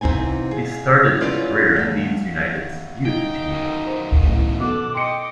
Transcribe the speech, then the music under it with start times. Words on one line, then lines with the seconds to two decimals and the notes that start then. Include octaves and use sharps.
He started his career in Leeds United's youth team.
0.01 C3 E3 C4 D#4 G#5
0.51 G#4
1.21 C#4 E4 F4 B4 C#5 D5
1.76 D2 E5
3.05 D#4 G5
3.51 F#2 D#3
3.86 C5
4.25 A1
4.60 B2 A4 F#5 D6
4.94 D#5 G5 C6 D6 C#7